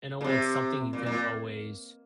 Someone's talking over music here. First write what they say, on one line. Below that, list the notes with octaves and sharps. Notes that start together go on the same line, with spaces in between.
in a way, it's something you can always
A#2
C3
A#2
A#2